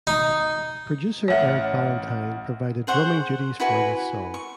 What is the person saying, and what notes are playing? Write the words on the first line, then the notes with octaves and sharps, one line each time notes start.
Producer Eric Valentine provided drumming duties for this song.
D#4
A1 C#5 E5 F#5 F6
G#4 C5 F#5 C#6
E4 F#4 B4 G#5
C#6